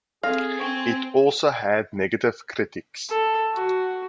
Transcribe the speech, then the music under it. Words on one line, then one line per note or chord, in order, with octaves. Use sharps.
It also had negative critics.
C4 G#4 A4 F5 A#6
C4 G#5 C#6
A4
F#4